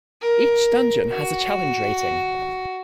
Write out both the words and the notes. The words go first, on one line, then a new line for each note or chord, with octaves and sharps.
Each dungeon has a "challenge rating".
A#4
F#4